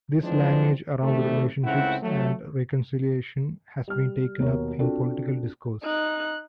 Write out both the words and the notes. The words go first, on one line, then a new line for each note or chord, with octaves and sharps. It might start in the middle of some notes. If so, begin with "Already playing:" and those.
This language around relationships and reconciliation has been taken up in political discourse.
E3 F3 G#3 C4 D4 C5
C3 D#3 E3 G3 A3
C#2 C#3 A3 C4 E4 F#5
F#3 A3
G3 F6
D#2 B2 A#4 C#5
C4 D4 F4 F#4 A4
D#4 F#6